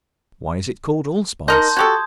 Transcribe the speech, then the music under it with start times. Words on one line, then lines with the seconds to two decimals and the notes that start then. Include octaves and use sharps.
Why is it called Allspice?
1.48 D#4 A#4 D#5 A5 C6 G6
1.77 F#4 G4 A4 D#6 G#6